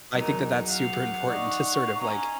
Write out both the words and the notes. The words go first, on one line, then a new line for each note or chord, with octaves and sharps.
I think that that's super important to sort of, like,
E2 F#3 D#4 A#4
F5 F#5
D#4 D5 C#6
C#4 A#5